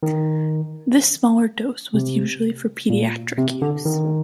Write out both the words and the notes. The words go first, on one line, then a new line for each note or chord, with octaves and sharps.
This smaller dose was usually for pediatric use.
D#3
C3
A#2
C3
D3
D#3